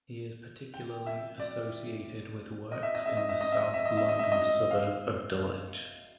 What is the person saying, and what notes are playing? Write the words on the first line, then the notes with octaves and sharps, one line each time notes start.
He is particularly associated with works in the south London suburb of Dulwich.
G5
E5
D5
D#5
E5
D#5
E5
D#5
E5
D#5
E5
D#5
E5
D#5
E5
D#5
E5
D#5
F5